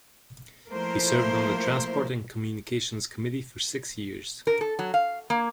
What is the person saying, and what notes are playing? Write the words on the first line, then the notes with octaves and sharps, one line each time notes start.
He served on the transport and communications committee for six years.
F3 A3 A#3 E4 A#4 C5
A#4
A4
F#3
F5
A#3